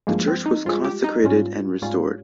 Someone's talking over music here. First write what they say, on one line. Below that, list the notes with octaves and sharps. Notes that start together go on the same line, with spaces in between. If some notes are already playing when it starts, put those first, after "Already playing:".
The church was consecrated and restored.
G2 F3 G#3 A#3
C4
D#4
G2 F3 G#3 F4
G4
D#4
G#2 G3 C#4 F4
G#2 G3 C#4 F4